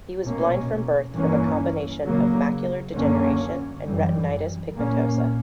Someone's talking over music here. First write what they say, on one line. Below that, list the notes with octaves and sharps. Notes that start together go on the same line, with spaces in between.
He was blind from birth from a combination of macular degeneration and retinitis pigmentosa.
B2 A#3 C#4
G2 E3 A#3 C#4
C#3 F#3 A#3
F#2 D3 A#3 C#4
F#2 E3 G3
A#2 A#3 C#4